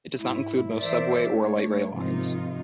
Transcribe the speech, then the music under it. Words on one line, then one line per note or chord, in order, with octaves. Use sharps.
It does not include most subway or light rail lines.
G#2 E4
E3 A#4 C5 D5 E5
A3 D4 C#5
G#2 C3 D#3 F3 D#4 F4